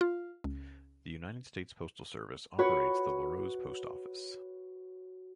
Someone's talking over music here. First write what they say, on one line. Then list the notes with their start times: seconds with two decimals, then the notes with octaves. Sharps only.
The United States Postal Service operates the Larose Post Office.
0.01 F4
0.44 C#2
2.59 F#4 B4 C#5